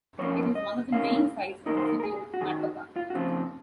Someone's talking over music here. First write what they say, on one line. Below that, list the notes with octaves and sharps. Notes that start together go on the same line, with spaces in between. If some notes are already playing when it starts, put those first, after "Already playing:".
It is one of the main sights of the city of Macapa.
F#2 F3 A#3 C#4 C#5
D#5
C#2 C3 D#3 A#3 C#4 F5
F#2 D#3 A#3 D#4 A#4
C5
A#4
A#4
G#4
F#4
F#2 D#3 F#3 G#4
F#4
F4
F#4
F2 C#3 F3 C4 F4